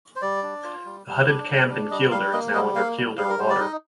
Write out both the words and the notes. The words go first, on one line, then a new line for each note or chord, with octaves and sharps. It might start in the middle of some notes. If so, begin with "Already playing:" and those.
The hutted camp in Kielder is now under Kielder Water.
C5
G3 D5
D4
F4
G3
G3
D4
G3
D4
G3 D#5
G3 F5
A#3 D#5
G3 D#5
A#3 F5
G3
G3 F5
A#4
G3 C5
D5
D#4 D#5